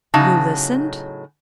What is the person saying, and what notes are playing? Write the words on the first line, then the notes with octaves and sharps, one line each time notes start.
"You listened?"
A2 C#3 F#3 D#4 A5